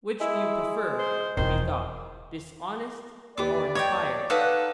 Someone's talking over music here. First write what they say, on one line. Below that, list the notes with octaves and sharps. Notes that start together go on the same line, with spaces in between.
Which do you prefer to be thought, dishonest or inspired?
G#3 E4
C5
E1 D#3 E3 C5
D#2 B3 G4 D5 D6
C#5 D#5 G5 G#6
D#4 A4 B4 F5 F#5